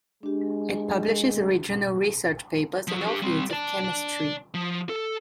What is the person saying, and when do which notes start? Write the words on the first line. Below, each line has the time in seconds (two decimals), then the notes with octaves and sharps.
It publishes original research papers in all fields of chemistry.
0.23 G#3 D4 G4
2.88 F3 F#3
3.07 D4 G4
3.22 G3 C4
3.51 D5 A5
4.54 F3
4.89 A4